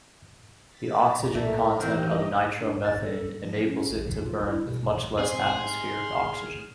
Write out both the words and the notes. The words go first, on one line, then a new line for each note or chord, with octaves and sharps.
The oxygen content of nitromethane enables it to burn with much less atmospheric oxygen.
A6 B6
D5 A#5
B1 A3 A#4
D#3 E3 A#3 C4 G4 D#5
D4
A6
A4
F3
C#4
A#1
C2
F4
E4
B2
G#2 C3 C4 G#4 C6
F6